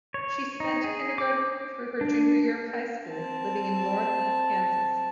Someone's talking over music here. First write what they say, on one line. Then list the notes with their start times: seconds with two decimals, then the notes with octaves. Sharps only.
She spent kindergarten through her junior year of high school living in Lawrence, Kansas.
0.14 C#5
0.60 D#4
0.84 G#4
1.18 D6
2.01 D4
3.07 C4 A5